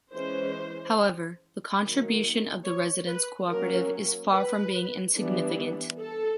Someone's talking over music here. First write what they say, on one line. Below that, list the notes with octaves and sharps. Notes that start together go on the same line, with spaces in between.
However, the contribution of the residents cooperative is far from being insignificant.
E3 G#3 C#4 C5
D#3 F#3 A#3
C#5
B4
F#3 A#3 C#4 A#4
B4
E3 G3 B3 D4
A4